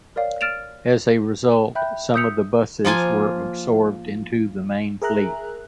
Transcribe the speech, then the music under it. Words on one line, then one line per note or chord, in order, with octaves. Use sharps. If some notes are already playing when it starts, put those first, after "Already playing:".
As a result, some of the buses were absorbed into the main fleet.
A#4 C#5 D5 F5
F6 A6 D7 E7 F7
E5 G5 B5 F#6 G6
D#6 E6 G6 B6 C#7 F7
F3 A#3 F4 G#5
G#4 A#4 E5 A#5 F#6